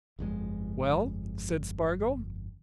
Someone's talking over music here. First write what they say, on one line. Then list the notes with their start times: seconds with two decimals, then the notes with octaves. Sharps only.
"Well?" said Spargo.
0.19 G1 F2 C3 G#3